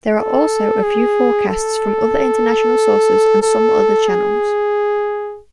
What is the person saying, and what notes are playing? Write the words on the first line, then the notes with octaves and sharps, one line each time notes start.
There are also a few forecasts from other International sources and some other channels.
A4
G#4
A4
A4
G#4